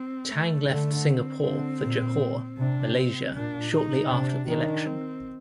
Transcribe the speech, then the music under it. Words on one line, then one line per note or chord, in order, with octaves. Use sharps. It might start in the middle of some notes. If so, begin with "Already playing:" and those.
Tang left Singapore for Johor, Malaysia, shortly after the election.
Already playing: C4
A3
D3 A3
C4
D3 C4
A#2
C3 D4
C4
A#2 D4
D#4
C3 D4
D#3 D4
C4